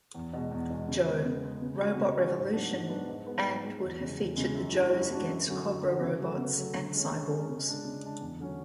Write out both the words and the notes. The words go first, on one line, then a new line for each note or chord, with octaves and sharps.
Joe: Robot Revolution, and would have featured the Joes against Cobra robots and cyborgs.
E2
B2 G#3
E2
B2 G#3
C#3
G#3 B3
C#3
G#3 B3
C#3
G#3 C#4 F#4
C#3
G#3 C#4 F#4
G#2
F#3 B3 D4
G#2
F#3 B3 D4
G#2
G#3 B3
G#2
G#3 B3
E2
C#3 G#3
E2
C#3 G#3
F#2
E3 G#3 D4 F#4
F#2
E3 G#3 D4 F#4
F#2
D3 F#3 C#4 F#4
F#2
D3 F#3 C#4 F#4
C#3
F#3 A3
C#3
F#3 A3
D3
G#3 C#4
D3
G#3 C#4
C#3
G#3 D4
C#3
G#3 D4
E2
D3 F#3 C#4